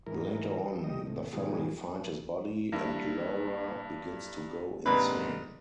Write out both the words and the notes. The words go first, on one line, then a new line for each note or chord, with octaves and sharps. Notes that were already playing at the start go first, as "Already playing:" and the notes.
Later on, the family find his body, and Laura begins to go insane.
G#2 E3 A#4
G3 D#5
A2 C3
G#2 B2 D#3 F3 G3 G#3
G2 A#3 E4
D#2 G#2 C3 A#3 D4 B4